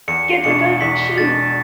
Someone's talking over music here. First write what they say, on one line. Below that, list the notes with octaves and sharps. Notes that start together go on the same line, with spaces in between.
Get the gun and shoot!
E2 C#7
B2 G#3 D4 C#7
E2 B6
B2 G#3 D4 A6